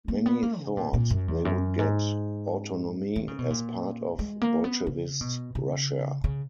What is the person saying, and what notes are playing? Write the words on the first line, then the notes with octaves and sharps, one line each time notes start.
Many thought they would get autonomy as part of Bolshevist Russia.
A#3
B3
A#3
C#3
A#2
A#2
F#2
E2
F#2
G#2
D#3
C#3
B2
A#2
G#3
A#3
B3
C#3
B2
C#3
C#3